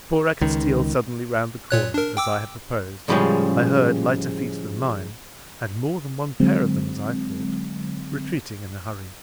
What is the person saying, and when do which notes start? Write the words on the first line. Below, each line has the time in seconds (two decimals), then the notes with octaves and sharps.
Before I could steal suddenly round the corner, as I had proposed, I heard lighter feet than mine--and more than one pair of them as I thought--retreating in a hurry.
0.41 C#2 D#3
1.71 A#2 C#5 F#6
1.94 D4 A#4
2.17 G5 D6 E6
3.08 A2 C#3 F3 G3 G#3 C#4
6.40 D3 F#3 G#3 C4